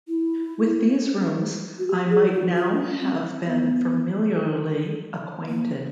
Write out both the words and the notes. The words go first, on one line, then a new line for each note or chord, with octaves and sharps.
With these rooms I might now have been familiarly acquainted!
E4
F#4
G4
G#4
F#4
F4
D4
C#4
C4
B3
A#3